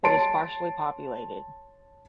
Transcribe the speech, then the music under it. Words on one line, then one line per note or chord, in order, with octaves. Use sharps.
It is sparsely populated.
C#5 A5 C6 D7